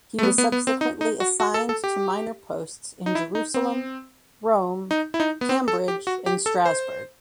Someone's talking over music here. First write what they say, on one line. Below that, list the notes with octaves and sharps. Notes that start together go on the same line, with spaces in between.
He was subsequently assigned to minor posts in Jerusalem, Rome, Cambridge and Strasbourg.
A3
B3
B3
B3
C4
D#4
D#4
F#4
F#4
A4
A4
G4
D#4
E4
D#4
C4
D#4
E4
D#4
B3
C4
A4
G4
F#4
G4
A4
C5